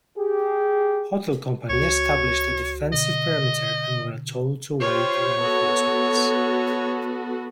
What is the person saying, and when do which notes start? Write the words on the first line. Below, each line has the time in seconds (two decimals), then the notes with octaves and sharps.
Hotel Company established a defensive perimeter and were told to await reinforcements.
0.18 G4 G#4
1.70 C#2 F#4 C#5
2.93 B2 D3 D#5
4.81 F4 G4 C5 C#5
5.39 B3 F#4 A4